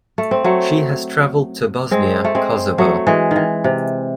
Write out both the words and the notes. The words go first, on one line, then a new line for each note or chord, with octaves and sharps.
She has traveled to Bosnia, Kosovo.
A3
C4
F#3 A3
G#3 C4
A3
G#3 C4
F#3 A3
E3 G#3
D#3 E3
C3